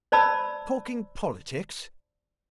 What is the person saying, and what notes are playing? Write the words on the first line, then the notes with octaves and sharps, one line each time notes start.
"Talking politics?"
C5 D5 A5 B5 E6